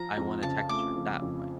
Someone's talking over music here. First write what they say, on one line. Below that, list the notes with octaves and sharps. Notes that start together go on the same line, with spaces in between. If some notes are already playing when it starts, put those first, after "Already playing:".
I want a texture that way.
Already playing: F3 A#5
F2
C#3 A5
A3 D6
F3
F2